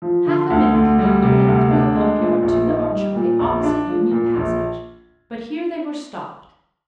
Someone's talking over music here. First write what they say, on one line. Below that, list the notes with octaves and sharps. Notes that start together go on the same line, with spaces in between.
Half a minute conducted them through the Pump-yard to the archway, opposite Union Passage; but here they were stopped.
F3
D3
D2
D2
G3
C3
D2
D4
G#3
A#2
A#1
D#4
G3
A#2
A#1
D4
F3
A#2
A#1